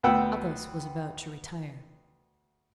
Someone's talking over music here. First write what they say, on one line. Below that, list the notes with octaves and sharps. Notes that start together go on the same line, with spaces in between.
Athos was about to retire.
D2 B3 F#5 G5 E6